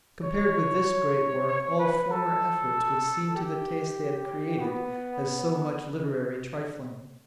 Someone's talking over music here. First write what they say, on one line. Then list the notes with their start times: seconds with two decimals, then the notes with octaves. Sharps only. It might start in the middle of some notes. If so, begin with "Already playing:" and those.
Compared with this great work, all former efforts would seem to the taste they had created as so much literary trifling.
0.24 C#5
1.49 C#5
1.79 B4
2.11 A4
3.36 G4
4.60 B3